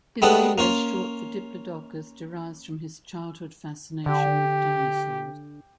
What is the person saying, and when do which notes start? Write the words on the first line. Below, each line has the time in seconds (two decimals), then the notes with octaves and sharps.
His alias, short for "Diplodocus", derives from his childhood fascination with dinosaurs.
0.22 G3 G#3 B3 D4 A4
0.58 A#3 C#4 F4
4.06 D3 G4